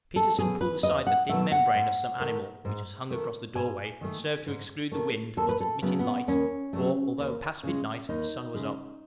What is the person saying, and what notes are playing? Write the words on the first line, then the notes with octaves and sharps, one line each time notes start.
Petersen pulled aside the thin membrane of some animal, which hung across the doorway, and served to exclude the wind, but admitted light, for, although past midnight, the sun was up.
A4
B2 F#3 A3 G#4
B4
E2 D#5
F#5
B2 F#3 A3 E5
F#5
G#2
D#3 A3
G#2
D#3 A3
G#2 G#5
D#3 A3
G#2
D#3 A3
D#2 A4
B4
A4
C#3 F#3 A3 B3
B3
D#2 C#4
C#3 F#3 A3
D#2
C#3 G#3
D#2 D#4
C#3 G#3